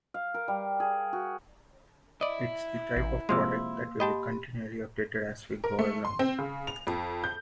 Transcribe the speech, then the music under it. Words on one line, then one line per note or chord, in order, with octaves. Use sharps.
It's the type of product that will be continually updated as we go along.
F5
A#4
G3
G#4
F#4
E4 D5 D#5
A1
C3 F3 G#3 A#3 C6 E6
G4 D#5 G5 A5 B5
A#4
A3
C6
C4
C#3
F7
F2
G6